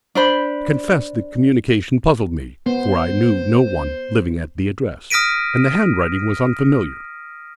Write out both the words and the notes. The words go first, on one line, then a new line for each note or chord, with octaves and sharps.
I confess the communication puzzled me, for I knew no one living at the address, and the handwriting was unfamiliar.
D4 C5 B5
B3 C5
D#6 F6 A#6 B6 D7 D#7